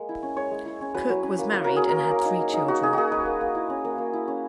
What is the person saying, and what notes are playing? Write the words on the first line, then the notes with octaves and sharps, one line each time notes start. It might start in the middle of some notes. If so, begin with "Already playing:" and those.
Cook was married and had three children.
Already playing: G#3 A#3
E4
C#4
G#3 C#5
G#3
E4
C#4
F#3 B4
F#3
C#4
A#3
F#3 B4
F#3 A#4
G#4
C#4
A#4
A#3
A#3
D#4
A#3
D#4
A#3 F#4
D#4 G#4
A#3 F#4 G#4
D#4 B4
A#3
A#3
E4
C#4
A#3
A#3
E4
C#4